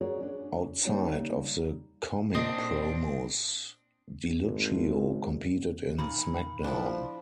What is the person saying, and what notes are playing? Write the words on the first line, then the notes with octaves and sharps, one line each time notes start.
Outside of the comic promos, DiLucchio competed in SmackDown!
F#4 G#4 A#4 C#5 D5
C#4 D4
G3 A#3 D#4 G4 C#5 F5
A#2 C4 D4 D#5
G#1
A#2 D#3 B5
F3 D4 E4